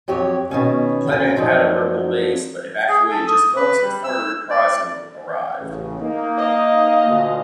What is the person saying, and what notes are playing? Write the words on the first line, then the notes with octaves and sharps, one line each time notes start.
The planet had a rebel base, but evacuated just moments before the "Reprisal" arrived.
F2 F#3 G4 C#5
B2 D#3 C#4 G5
D2 C3 C#4
F#2 F3 F#3 D4 D#4
G#4
A4
D#6
B4
G3
E6
D5
A1 C#3
A#3 D#4
D#5 F5
D2 A#2